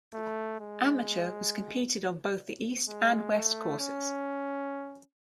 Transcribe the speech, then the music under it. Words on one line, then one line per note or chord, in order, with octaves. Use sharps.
Amateur was competed on both the East and West Courses.
A3
G#3
G#3
A3
C#4